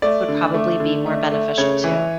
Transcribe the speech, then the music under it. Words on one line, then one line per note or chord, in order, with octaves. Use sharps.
would probably be more beneficial too.
A3 D5
D3
A3
D3
A3
A3
C#3 C#5
E3